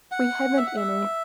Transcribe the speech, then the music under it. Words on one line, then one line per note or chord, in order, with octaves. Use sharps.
We haven’t any.
F#5
E5
F#5
E5